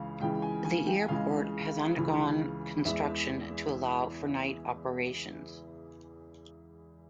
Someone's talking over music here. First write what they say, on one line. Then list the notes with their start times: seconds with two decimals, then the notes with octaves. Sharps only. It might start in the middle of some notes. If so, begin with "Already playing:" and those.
The airport has undergone construction to allow for night operations.
Already playing: C#2 C#3 E3 F5
0.20 C#2 C#3 E3 G5
0.42 G#5
0.65 G#5
0.87 G5
1.08 C#2 C#3 E3 G#3 F5
1.96 C#2 C#3 E3 G#3
2.85 E2 E3 G#3 E5